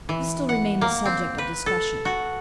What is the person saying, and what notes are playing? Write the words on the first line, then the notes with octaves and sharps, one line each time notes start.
This still remained the subject of discussion.
E3
F#5
A#3
C4
B4
A4
F#4